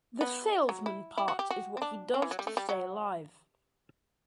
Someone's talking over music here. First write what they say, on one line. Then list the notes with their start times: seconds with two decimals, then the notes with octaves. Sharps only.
The salesman part is what he does to stay alive.
0.21 B3
0.69 F#3
0.86 E4
1.17 E4
1.28 F#4
1.39 G4
1.50 F#4
1.77 C4
1.82 D4
2.14 C4
2.22 E3
2.31 F#3
2.39 G3
2.47 A3
2.57 G3
2.69 F#3